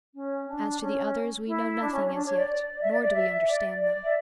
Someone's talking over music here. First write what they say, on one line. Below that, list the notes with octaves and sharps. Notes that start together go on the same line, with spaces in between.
As to the others we know nothing as yet, nor do we understand them.
C#4
D4
C#4
E4
D4
C#4
C#4
D4
C#5
D5
D5
E5
D5
D5
E5
D5
D5
E5